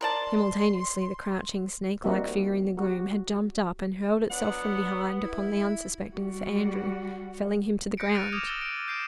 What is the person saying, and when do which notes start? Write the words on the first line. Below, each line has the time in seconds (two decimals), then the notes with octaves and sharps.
Simultaneously the crouching, snake-like figure in the gloom had jumped up and hurled itself from behind upon the unsuspecting Sir Andrew, felling him to the ground.
0.01 A#4 D5 A5 C6
2.04 G3 A#3 C4 D#4 F#4 E5
2.77 F#4 G4
4.31 F#3 B3 D4 F#5
5.23 E4
6.17 G3 F#4
7.97 G6 A#6 B6 C#7 D7
8.15 F6 F#6 A6 D7 D#7 F7
8.32 D6 D#6 F6 G#6 E7 F7
8.47 E6 A6 D7 E7 G7
8.61 D7
8.88 G6 C7 D7 E7